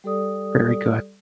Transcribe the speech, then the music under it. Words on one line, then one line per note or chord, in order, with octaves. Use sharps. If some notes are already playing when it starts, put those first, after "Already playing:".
Very good.
G3 G4 A4 D5 D#6